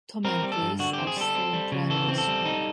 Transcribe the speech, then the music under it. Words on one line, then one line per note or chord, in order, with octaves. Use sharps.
Tom and Grace are still in primary school.
C4 A#4
G3
A4
G2
D3 F#4
C4 G4
G#4
G3 A4
C4
G3
C#3
E3 A4
C4
A4
G3
D#4